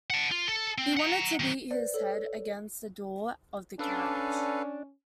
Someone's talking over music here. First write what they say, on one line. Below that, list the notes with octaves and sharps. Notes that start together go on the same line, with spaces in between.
He wanted to beat his head against the door of the carriage.
F#5 A5
F4
A4
C4
F#5 A#5
D#3 F#3
B4 C5 D5
A4 C#5
C#4 D4 A4 B4 F5